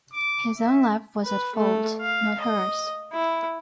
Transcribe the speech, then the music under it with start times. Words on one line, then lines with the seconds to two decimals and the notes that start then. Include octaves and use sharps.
His own love was at fault, not hers.
0.13 D6
0.57 E5
1.24 B4
1.55 A3
2.01 F5
2.41 D#5
3.13 E4